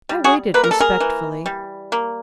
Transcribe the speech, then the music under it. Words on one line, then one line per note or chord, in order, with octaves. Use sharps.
I waited respectfully.
G3
F#4 G#4
A#3 B4
A#4
A4
G#4 A#4
E3
G3
A#3